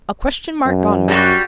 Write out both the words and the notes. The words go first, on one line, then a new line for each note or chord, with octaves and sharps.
A question-mark gone mad.
F#2
G3 F#4